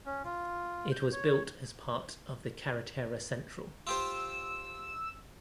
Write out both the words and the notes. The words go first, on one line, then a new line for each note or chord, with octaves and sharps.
It was built as part of the Carretera Central.
C#4
F4
G6
C#5
F4 G4 C5 E6